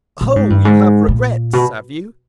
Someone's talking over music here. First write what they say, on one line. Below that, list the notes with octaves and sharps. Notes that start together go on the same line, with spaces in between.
"Oh, you have regrets, have you?"
A#2
G#2
G2
G#2
A#2
B2